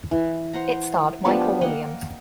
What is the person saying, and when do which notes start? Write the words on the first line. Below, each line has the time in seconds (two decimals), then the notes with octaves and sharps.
It starred Michael Williams.
0.11 E3
0.53 C5 F#5 A#5
1.25 F3 G3 B3 D4
1.61 A#3 D#5 F#5 G5